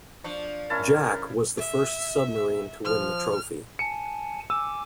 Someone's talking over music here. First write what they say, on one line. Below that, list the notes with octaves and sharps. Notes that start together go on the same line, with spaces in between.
"Jack" was the first submarine to win the trophy.
F3 D4 C#6
C#4 E4 A#4 A5
E5
F3 F6
G#5 A5 C#7
G#5 D6 E6